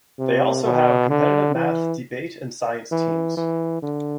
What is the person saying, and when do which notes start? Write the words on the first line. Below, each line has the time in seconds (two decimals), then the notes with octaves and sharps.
They also have competitive math, debate and science teams.
0.19 C3
0.64 B2
1.10 D3
1.55 E3
2.91 E3
3.37 E3
3.82 D3